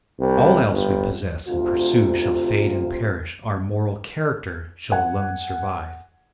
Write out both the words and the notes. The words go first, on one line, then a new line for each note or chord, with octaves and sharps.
All else we possess and pursue shall fade and perish, our moral character shall alone survive.
C2
G1
D2 C3 F4
F#5 G#5